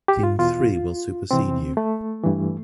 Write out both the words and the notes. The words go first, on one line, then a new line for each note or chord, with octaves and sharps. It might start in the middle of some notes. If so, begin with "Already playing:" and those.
Team three will supersede you.
G4
F4
E2 B2 F4
C2 C3 E3 C4
A3
G2 E3